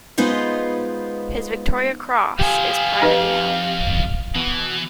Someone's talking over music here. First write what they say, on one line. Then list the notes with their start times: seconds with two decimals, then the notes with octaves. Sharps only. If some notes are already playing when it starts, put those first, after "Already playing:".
His Victoria Cross is privately held.
0.18 G#3 B3 D#4 F4 B4 C5
2.40 B3 G4 C5 F5 G#5
3.02 F2 D#4 B4 D#5
4.35 B2 E3